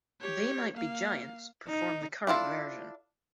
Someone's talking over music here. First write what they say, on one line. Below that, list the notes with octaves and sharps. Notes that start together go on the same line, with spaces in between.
They Might Be Giants perform the current version.
G4 C#5
A#3 F5
D#4
D4 E4 F4 A4